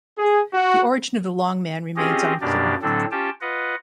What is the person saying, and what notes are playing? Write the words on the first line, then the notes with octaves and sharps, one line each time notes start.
The origin of the Long Man remains unclear.
G#4
F#4
C4 C#4 F4 G4 G#4 D#5
F#2 B2 A#3 D4 G4 D5
A2 D3 F#3 C4 D4 A4
C#4 F4 G4 G5 A5
F4 B4 D#5 F#5